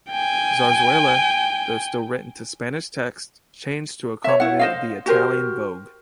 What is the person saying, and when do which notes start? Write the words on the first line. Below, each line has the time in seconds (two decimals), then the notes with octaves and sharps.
"Zarzuela", though still written to Spanish texts, changed to accommodate the Italian vogue.
0.11 G5 G#5
4.24 C#5 E5
4.40 E4 F#5
4.59 C5 D#5 F5
5.06 F#4 G4 A#4 C5